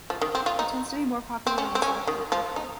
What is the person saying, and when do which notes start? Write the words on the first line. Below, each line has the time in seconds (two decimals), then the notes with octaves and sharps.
It tends to be more popular in the south of the country.
0.10 F3
0.22 D#3
0.35 C4
0.46 F4
0.59 D#4
1.47 C4
1.58 C#4
1.75 C4
1.82 C#4
2.07 D#3
2.32 F3
2.56 D#4